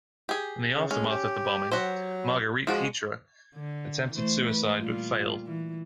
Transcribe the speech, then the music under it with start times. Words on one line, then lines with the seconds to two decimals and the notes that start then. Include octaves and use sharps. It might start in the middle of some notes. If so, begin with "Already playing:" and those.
In the aftermath of the bombing, Marguerite Pitre attempted suicide but failed.
0.29 G4 G#4
0.76 C#3
0.91 G#3 C#4
1.10 G4
1.72 F#3 F#4 G4 C5
2.67 F3 G#3 F#4 D5
3.55 D3
4.14 E3 A3 C5
4.47 B4
4.81 A#2 G3 F4
5.47 E3